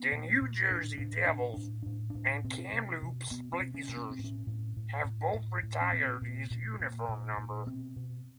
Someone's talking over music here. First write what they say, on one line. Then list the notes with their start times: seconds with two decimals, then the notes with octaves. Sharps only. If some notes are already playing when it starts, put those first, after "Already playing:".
The New Jersey Devils and Kamloops Blazers have both retired his uniform number.
Already playing: B3
0.12 A#2
0.42 A#2
0.71 A2 D4
0.98 A2 D4
1.26 A2 D4
1.54 A2 D4
1.82 A2 D4
2.10 A2 D4
2.44 B2 C4
2.73 B2
3.02 B2
3.31 B2 B3
3.53 C4
3.60 B2
3.74 C#4
3.89 B2
3.97 C#4
4.11 C4
4.19 A2
4.24 C#4
4.47 A2
4.77 A2
5.05 A2
5.34 A2
5.63 A2
5.81 C#4
5.92 A#2 C4
6.21 A#2
6.50 A#2
6.80 A#2
7.09 A#2
7.38 A#2
7.67 B2 C4
7.96 B2